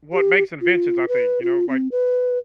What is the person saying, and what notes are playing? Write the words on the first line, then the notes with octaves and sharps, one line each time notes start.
what makes inventions, I think, you know? Like
G4
F4
B4
F4
C4
B4